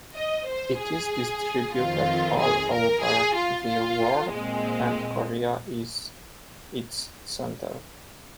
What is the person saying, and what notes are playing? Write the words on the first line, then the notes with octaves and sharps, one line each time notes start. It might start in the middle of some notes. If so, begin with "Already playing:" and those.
It is distributed all over the world and Korea is its center.
D#5
C5
G#4
F2 D#3 C4 F4
G#4
A#4
G#4
F4
F4
A#2 G#3 C4